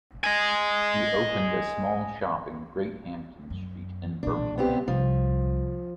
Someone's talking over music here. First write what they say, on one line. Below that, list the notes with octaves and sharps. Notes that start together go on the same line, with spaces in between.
He opened a small shop in Great Hampton street in Birmingham.
D#5 G#5
F#2
B1 A#2 D4
B3 C4 G4
C2 F3